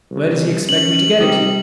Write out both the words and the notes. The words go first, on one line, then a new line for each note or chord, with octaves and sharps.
Where does he expect me to get it?
C2
C#4 F#7
C3 G3 D#4